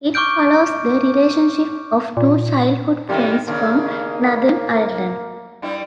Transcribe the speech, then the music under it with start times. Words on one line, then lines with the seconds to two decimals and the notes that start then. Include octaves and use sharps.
It follows the relationship of two childhood friends from Northern Ireland.
0.14 C#6 D6 F6 G6 D7
2.17 A#2
3.09 F#2 A2 D#3 G3
3.47 D#2 C#3 A#3 D4
5.62 G2 G3 E4